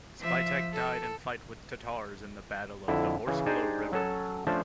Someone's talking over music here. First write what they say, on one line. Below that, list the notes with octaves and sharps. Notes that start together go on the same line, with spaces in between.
Spytek died in fight with Tatars in the Battle of the Vorskla River.
F3 E5
A4
F2 D3 E4
C#3 E3
D4 D#4 G4 G#4 C5 D5
F#3 C#4 A4
F3 A3 C#4 D4 C5